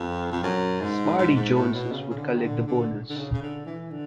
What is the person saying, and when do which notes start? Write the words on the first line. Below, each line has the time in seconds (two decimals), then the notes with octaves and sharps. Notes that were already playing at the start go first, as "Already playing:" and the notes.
Smarty Jones's would collect the bonus.
Already playing: F2
0.32 F2
0.43 F#2
0.81 G#2
1.18 G#2
1.36 G#2
1.55 A2
1.74 B2
1.92 C#3
2.10 C#3
2.17 D3
2.37 D#3
2.42 D3
2.66 D3
3.10 D3
3.17 C#3
3.33 C#3
3.42 D3
3.66 E3
3.91 D3